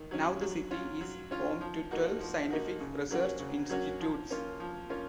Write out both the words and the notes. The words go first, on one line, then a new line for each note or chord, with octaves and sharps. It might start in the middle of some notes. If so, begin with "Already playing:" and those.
Now the city is home to twelve scientific research institutes.
Already playing: D#3
F#3 C#4
F#3
C#4 F4
F#3
C#4 F4
F3
A#3 D#4 F#4
F3
A#3 D#4 F#4
C#3
F#3 A#3 C#4 F#4
C#3
F#3 A#3 C#4 F#4
F3
A#3 C#4 F4
F3
A#3 C#4 F4